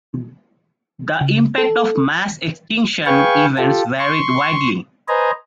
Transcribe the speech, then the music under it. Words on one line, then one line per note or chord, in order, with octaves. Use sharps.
The impact of mass extinction events varied widely.
C#3
A4
G#4 B4 F5 G5 G#5 C#6
F4 G4 A4
C6 C#6
B4 C5 D#5 G#5 A#5